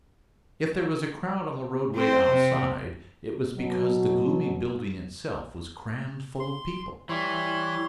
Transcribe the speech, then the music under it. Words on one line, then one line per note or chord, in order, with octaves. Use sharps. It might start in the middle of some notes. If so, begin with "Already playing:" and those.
If there was a crowd on the roadway outside, it was because the gloomy building itself was crammed full of people.
C4 C5
C3
B2 F#3
C6
E3 G3 C#5 C6